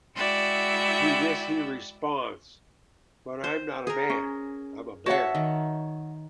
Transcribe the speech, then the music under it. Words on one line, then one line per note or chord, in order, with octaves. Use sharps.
To this he responds, "But I'm not a man, I'm a bear".
G#3 E4 F#4 D5 E5 G5
C5
G#4 A#4
C#4
F#4 C#5 E5 F#5 A5
D#3